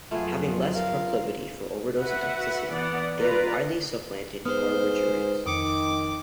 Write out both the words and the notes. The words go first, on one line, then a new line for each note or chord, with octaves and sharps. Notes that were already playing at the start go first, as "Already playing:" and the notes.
Having less proclivity for overdose and toxicity, they have widely supplanted barbiturates.
F2 F#3 A3 B3 F4 G#4
A#4 F5
F#4 B4 E5 F#5
E3 B3 D5 F#5
F4 B4 D5 A#5
G#2 B3 B4 C5 D#6 F6
F2 D#3 D6 D#6 C#7 D7